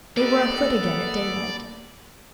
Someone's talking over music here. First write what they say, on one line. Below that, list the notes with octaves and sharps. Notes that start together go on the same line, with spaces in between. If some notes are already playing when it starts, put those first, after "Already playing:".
They were afoot again, at daylight.
A#3 B3 G4 A4 D5